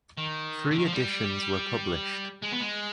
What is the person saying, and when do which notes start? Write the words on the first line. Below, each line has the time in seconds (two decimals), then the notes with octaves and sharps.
Three editions were published.
0.18 D#3
0.71 D3
0.79 D#3
0.86 F3
0.93 G3
2.42 G#3
2.51 B3
2.60 G#3